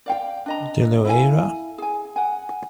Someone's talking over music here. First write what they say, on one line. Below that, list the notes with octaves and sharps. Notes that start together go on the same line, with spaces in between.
De Loera.
D5 F5 G5
D4 D#5 A#5
E4 A4 F5 G#5
G#4 G#5
F#5 G#5